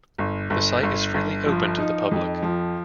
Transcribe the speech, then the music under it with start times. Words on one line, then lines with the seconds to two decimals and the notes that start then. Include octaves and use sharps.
The site is freely open to the public.
0.18 G1
0.50 G1
0.83 G1
1.14 G1
1.46 F3
1.78 D#4
2.11 F2
2.42 F3